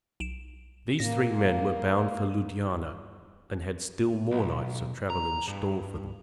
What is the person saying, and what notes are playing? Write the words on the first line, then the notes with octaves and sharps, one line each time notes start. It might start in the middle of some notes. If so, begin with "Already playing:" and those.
These three men were bound for Ludhiana and had still more nights of travel in store for them.
B1 D7 E7
A2 A#3 A#6
B1
A#5
G2